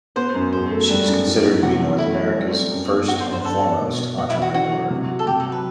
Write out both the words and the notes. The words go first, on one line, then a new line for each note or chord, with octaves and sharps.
She is considered to be North America's "first and foremost entrepreneur".
B3 C5
F#2
E1 C5
A3
G3 B4
F#2
A2
B3
C3 F#4
E2
A3 E4
A3
G3
C4
F#2
G1
G2 F#4
C5
G2
C5
B4
D4 A4
B3
B2
B3
B2 F#4
E4
E2
F#4
D3 F#4
F#3
C3
F#4
A4
C3 G4
A4
F#3
B4